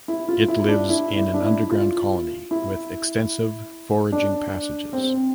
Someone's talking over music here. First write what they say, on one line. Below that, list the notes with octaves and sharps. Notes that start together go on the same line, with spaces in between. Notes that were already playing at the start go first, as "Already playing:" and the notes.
It lives in an underground colony with extensive foraging passages.
E4
F4
E4
D4
E4
E4
D4
E4
F4
E4
D4
C4